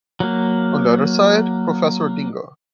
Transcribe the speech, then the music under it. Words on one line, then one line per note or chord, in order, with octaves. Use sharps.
On the other side, Professor Dingo.
F#3 A#3